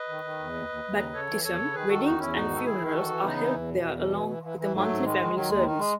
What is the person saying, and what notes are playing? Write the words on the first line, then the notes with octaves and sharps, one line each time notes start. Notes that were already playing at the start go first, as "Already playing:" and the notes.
Baptism, weddings and funerals are held there along with a monthly family service.
Already playing: B4 D#5
D#3
D#3
E2
D#2
D#2
D#2
C#3
C#3 A4 C#5
E3
E2 A4 C#5
C#3
D#3 G#4 B4
D#3 F#4 A4
E2 D#4 F#4
E2 C#4 E4
G#2 D#4 F#4
D#3
A4
D#3 E4 G#4
D#3
G#4
E3 F#4 A4
E3
C#3 B3 D#4
E3
E2
B2
E2
B2
E3
E3
E3
E3
G#2 F#3 A3
G#2
D#3 G#3
D#3
D#3 F#3
D#2 G#3
D#3
G#3